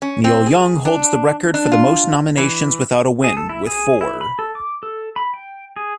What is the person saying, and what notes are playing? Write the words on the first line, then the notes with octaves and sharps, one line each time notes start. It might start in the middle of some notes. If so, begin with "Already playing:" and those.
Neil Young holds the record for the most nominations without a win, with four.
C#4
C4
G#4
D4
D4
F4
E3
G#4
A4
E4
G#4
E4
B5
A4
D6
A4
B5
G5
G#4